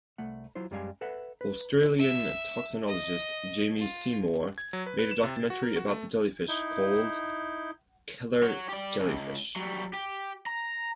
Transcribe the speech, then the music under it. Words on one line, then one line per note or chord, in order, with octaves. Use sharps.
Australian toxinologist Jamie Seymour made a documentary about the jellyfish called 'Killer Jellyfish'.
C2 A3 F#5
F#3 E4 F4 C5
F#2 G3 G#3 G4 F5 G#5
A4 B4 E5 F#5
B4
E5
D#5
F4
G#6
F#3
B4
B4
E7
C3
A6
F#4
A#4
F#4
A3
D#4 E4 G6
F#4 C#5
G4 D5
C#2
F#3 G3
G4
A#5